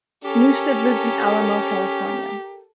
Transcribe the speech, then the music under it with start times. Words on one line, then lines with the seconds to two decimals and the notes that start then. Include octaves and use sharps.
Newsted lives in Alamo, California.
0.24 C#4 G4 A4 A#4